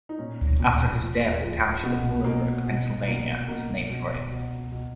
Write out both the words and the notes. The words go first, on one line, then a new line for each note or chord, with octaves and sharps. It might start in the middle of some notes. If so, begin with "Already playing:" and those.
After his death, the Township of Muhlenberg, Pennsylvania, was named for him.
D#4
A#2 C#4
A#2
F3
F3
B2 B3
B2 A#3
B2
B2 A#3
B2 A#3
B2
B2
B2